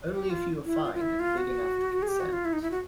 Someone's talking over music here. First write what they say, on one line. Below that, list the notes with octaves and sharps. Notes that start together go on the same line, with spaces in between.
Only if you are fine and big enough to consent.
G4
F4
E4
F4
F4
E4
F4
F#4
G#4
G4
F#4
F4
E4
D#4
E4
F#4